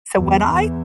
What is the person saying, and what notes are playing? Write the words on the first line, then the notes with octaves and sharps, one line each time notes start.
So, what I
E2
E2